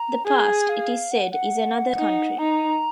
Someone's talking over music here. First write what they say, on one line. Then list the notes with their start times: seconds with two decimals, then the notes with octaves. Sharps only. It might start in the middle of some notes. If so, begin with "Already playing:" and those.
The past, it is said, is another country.
Already playing: A#5
0.26 G#4 G#5
0.69 F5
1.11 F#5
1.32 F#5
1.97 D#4
2.38 D#4 A#5